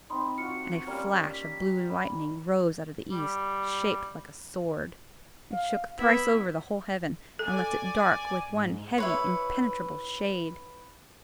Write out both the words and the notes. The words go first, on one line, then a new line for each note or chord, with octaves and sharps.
And a flash of blue lightning rose out of the east, shaped like a sword; it shook thrice over the whole heaven, and left it dark with one heavy, impenetrable shade.
C4 D#4 B5 C6
F4 F#4 C#7
G3 A#3 C#4
B6
B5
G3
F5
B3 E4
A4 D5 G#5
G#2
E4 B4 C#5